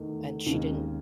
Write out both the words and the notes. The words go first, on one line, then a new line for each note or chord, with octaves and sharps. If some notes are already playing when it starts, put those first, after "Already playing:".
and she didn't
Already playing: E2 D#3 A3
D#2 C#3 G#3